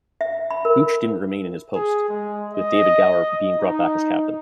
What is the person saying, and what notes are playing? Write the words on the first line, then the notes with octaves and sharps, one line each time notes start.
Gooch didn't remain in his post, with David Gower being brought back as captain.
E5
B5
A#4
G#4
G#3
D#5
D#4